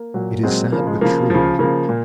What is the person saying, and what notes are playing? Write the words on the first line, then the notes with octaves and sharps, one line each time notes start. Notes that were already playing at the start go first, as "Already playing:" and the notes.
It is sad but true.
Already playing: A#3
A#2 F#3
A#2 F#3 G#3 C4
C#3 F3 A#3
G#3
C#3 F3 A#3
C#3 F3
C#3 F3 A#3
A#2